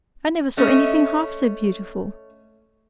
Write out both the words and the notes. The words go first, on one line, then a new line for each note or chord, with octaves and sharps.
I never saw anything half so beautiful!
A3 C#4 D#5